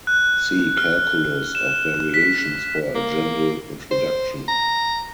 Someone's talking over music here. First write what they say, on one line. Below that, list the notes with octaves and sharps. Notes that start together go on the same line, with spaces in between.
See calculus of variations for a general introduction.
F#6
F6
E7
B6
A#3
C5
A#5